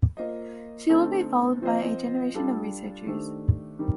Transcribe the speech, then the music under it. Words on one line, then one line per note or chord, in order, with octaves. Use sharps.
She will be followed by a generation of researchers.
A#3 F4 C5 D#5
D3 A3 C4 D#4 A4
F3 C4 F4 C5 D#5
G3 D4 F4 A4
D#3 A3 D4 G4 C5
D#3 G3 C4 D#4 A#4